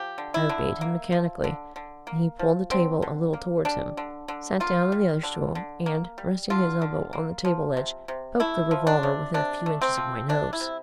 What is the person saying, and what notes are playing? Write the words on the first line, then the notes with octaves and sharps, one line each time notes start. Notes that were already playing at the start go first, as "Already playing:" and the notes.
I obeyed him mechanically, and he pulled the table a little towards him, sat down on the other stool, and, resting his elbow on the table ledge, poked the revolver within a few inches of my nose.
Already playing: F3 G4
D3
E4
D3
A#3
F3
D3
D3
A#3
F3
D3 C4
D3
A#3
G3 D4
D3
D3
A#3 F4
G3
D3
D3
A#3
G3
D3 F4
D3
A#3
F3
C3
C3
A3 E4
F3
D4
C3
C3 D4
A3
C4
F3
C3 D4
E4
C3